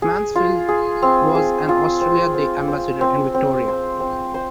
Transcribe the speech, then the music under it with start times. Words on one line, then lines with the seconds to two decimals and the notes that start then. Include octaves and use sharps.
Mansfield was an Australia Day ambassador in Victoria.
0.02 G#4
0.35 F4
0.68 G#4
1.02 C4
1.35 G#4
1.69 F4
2.01 C4
2.34 C4
2.68 C5
3.01 C4
3.34 C4
3.68 C5
4.00 C4
4.34 C5